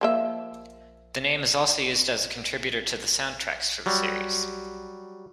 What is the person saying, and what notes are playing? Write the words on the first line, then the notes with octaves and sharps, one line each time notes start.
The name is also used as a contributor to the soundtracks for the series.
F3 A#3 E5
F#3 G3